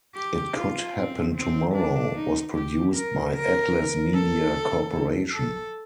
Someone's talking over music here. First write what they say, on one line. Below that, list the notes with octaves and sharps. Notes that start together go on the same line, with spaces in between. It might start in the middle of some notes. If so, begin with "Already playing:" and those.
"It Could Happen Tomorrow" was produced by Atlas Media Corporation.
G4
F4
C4
C4
D4
D#4
G4
A#4
A#4
A4
A4